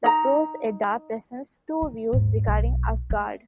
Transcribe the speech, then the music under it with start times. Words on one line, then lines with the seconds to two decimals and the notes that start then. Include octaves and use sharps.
The Prose Edda presents two views regarding Asgard.
0.04 D#4 A#5
1.82 D#4
2.13 D#2 G#2
2.47 B1
3.10 A3